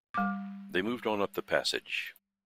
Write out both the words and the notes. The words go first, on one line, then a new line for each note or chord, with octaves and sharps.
They moved on up the passage.
G3 D6